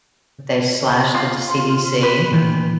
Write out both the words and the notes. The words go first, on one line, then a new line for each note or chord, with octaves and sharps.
they slashed the CDC,
F4
B4
D2 A#2 D#3 E3